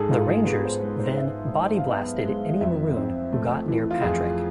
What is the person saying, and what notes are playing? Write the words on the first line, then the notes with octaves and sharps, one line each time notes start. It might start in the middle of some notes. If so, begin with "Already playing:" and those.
The Rangers then body-blasted any Maroon who got near Patrick.
Already playing: G#2 G#4 A4
G#2 F4
G#4
B3 G#4
C5
G#3 B4
C5
G#2 E5
G#2
F5
B3 E5
G#3
F2 E5
C4
A3
E3
F4
F2 G#4